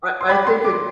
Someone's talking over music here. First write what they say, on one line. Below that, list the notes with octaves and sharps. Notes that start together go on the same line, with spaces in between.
I I think it
C6
G4 B5
C6
D6